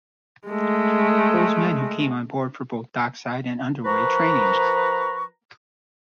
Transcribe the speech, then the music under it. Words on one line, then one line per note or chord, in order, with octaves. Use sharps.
Those men came on board for both dockside and underway training.
G#3 A3
F3 A#4 B4 A#5 C#6